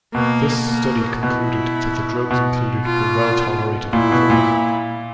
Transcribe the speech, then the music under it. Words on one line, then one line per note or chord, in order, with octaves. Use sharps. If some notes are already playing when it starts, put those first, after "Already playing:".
This study concluded that the drugs included were well tolerated overall.
B2 A#3
A#3
B2 E4
B2
F4
A#2 E4
B2
A#2